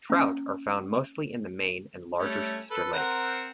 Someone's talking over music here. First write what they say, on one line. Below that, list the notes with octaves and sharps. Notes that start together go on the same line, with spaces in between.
Trout are found mostly in the main and larger sister lake.
A#3 C#4
G3 A3 C#4
A4 B4
C4 A#4 F#5